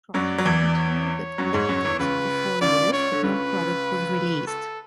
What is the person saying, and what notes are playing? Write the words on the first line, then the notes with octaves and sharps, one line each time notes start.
The project continued at Autodesk for four years, but no product was released.
F#2 F#3 D5
F#3
E2 E3
C#5
F#2 F#3
G#2 G#3
F#2 F#3
E2 E3
C#2 C#3 B4
C#2 C#3 D5
C#5
D3
C#2 C#3 B4
A4